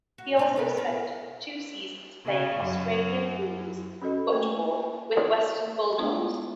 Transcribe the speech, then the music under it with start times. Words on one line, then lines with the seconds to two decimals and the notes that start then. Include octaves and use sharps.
He also spent two seasons playing Australian rules football with Western Bulldogs.
0.18 F#4
0.37 C3 C4 D4
0.56 B3 A#4 B4
0.77 A4 A#4
2.25 C#3
2.60 F#2
4.02 C#4 F#4 A4 D#5
4.32 A3 A#3
5.98 G#3 A3 B3 D4 E4 F4